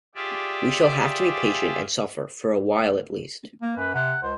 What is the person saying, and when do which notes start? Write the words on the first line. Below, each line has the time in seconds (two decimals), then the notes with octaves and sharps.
We shall have to be patient, and suffer for awhile at least.
0.15 F4 G4 G#4 D5 E5
3.62 A#3
3.77 F#2 B4
3.94 C3 F#5
4.23 C#2 C5